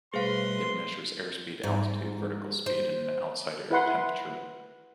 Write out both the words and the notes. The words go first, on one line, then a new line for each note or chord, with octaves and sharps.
It measures airspeed, altitude, vertical speed, and outside air temperature.
B2 G3 A3 G#4 B4 C5 F5 C6
G#2
C5
E4 B4 F#5 C6